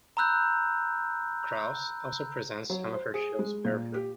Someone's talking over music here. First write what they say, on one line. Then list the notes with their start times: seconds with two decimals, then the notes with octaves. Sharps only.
Kraus also presents some of her shows barefoot.
0.17 A#5 B5 E6 F#6 G6
2.70 F#3
2.94 C5
3.14 G#4
3.39 G#3
3.65 A#2
3.94 G4